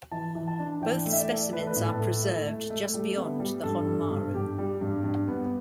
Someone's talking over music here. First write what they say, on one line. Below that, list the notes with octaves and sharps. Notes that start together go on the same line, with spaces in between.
Both specimens are preserved just beyond the Honmaru.
E3 A5
E3
A5
D4
E3 G5
A3
E5
D5
A3
A3 B4
A4
B4
A2
A4
A3
A3
A3
A3
G3
B3
G3
G2 A4
G2
G2
G2 G4
G3
G2
G2
B3